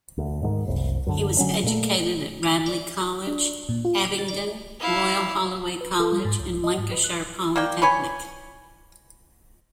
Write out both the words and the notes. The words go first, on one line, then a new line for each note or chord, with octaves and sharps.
He was educated at Radley College, Abingdon, Royal Holloway College and Lancashire Polytechnic.
D2
G#2 D3 D#3
F#1 C2
F#2 D3
D3 F#3 C#4
A#2 A3
D4
A#2
F4
E4 F5
B4
A4
G3
G#2
C#2
D#5
G#2
B4
F#6
A#3 D5 G5
B4 C#5 G#5